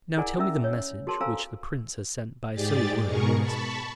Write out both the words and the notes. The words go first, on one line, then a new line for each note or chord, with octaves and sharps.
"Now tell me the message which the Prince has sent by so worthy a messenger."
E4 G#4 A#4 D5 F#5 G#5
C#4 E4 A#4 E5 E6
C#5
F#4 G#4 A#4 A5 C6
A4 C5 F5 G#5 A#5 E6
G#2 G4 G#4 D5 A6
G#2 B2 G#4 A#4 C#6
A5 B5 C#6